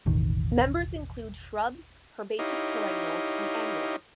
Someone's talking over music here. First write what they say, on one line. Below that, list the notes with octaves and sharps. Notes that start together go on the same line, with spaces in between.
Members include shrubs, herbaceous perennials, and annuals.
E1 A1 D#3
D#4 E4 G4 C#5 D#5 F5